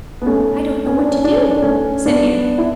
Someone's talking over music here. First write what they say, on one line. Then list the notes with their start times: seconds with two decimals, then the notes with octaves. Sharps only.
"I don't know what to do," said Anne.
0.22 B3
0.26 A3 C#4
0.86 C#4
0.99 D4
1.12 C#4
1.24 D4
1.38 C#4
1.51 D4
1.62 A3 C#4
2.06 B3 D4
2.58 E4